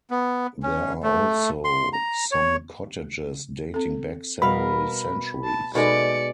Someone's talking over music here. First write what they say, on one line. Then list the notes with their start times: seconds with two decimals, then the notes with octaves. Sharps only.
There are also some cottages dating back several centuries.
0.10 B3
0.63 C#4
1.03 A3
1.64 C6
1.93 A#5
2.31 C#5
3.74 C4 A4
4.42 B2 G3 A#4 F5 B5
5.45 A5
5.75 B2 G#3 D#4 A4 A#4 D5 C#7